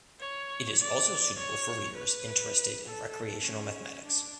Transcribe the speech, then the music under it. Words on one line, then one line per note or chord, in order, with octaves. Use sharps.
It is also suitable for readers interested in recreational mathematics.
C#5
D5
C#5
B4
A4
C#4
D4